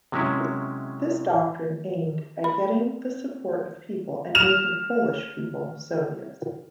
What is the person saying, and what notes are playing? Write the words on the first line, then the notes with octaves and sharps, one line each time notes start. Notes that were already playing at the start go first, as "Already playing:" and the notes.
This doctrine aimed at getting the support of people and making Polish people "Soviets".
C3 F#3 G#3 C#4 E4
B5
F6 E7 F7